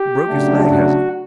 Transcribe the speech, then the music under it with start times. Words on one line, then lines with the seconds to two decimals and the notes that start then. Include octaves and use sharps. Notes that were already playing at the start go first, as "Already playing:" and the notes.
"Broke his leg, has he?"
Already playing: G4
0.27 C#3 F#3 A3 D4
0.70 F#4